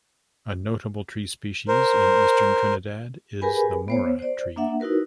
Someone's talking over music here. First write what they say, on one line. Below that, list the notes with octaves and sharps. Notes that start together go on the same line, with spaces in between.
A notable tree species in eastern Trinidad is the "Mora" tree.
A#4 C5
G4 G#4 A#4 B4 G#5 B5
B3 C5 C#5
C5 D5
A#3 D4 E5 F#5
D#4 E4 F#4 A#4 B4